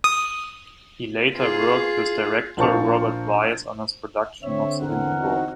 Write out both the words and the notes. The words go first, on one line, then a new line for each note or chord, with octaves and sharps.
He later worked with director Robert Wise on his production of The Hindenburg.
D#6
F4 G#4
A#1 F4 A#4 C5 A5 C#6
D3 C4 C#5 E5
E2 A#4 F#5
C4 D#4 F#4